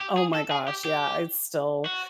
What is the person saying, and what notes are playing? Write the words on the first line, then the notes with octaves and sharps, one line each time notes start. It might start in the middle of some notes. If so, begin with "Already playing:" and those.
Oh my gosh, yeah, it's still
G4
G#4
A4
G#4
G4
G4
F#4